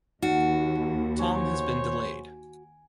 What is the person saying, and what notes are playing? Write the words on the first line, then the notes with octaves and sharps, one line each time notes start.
Tom has been delayed.
D#2 D#4 F#4
C5 C#5 G#5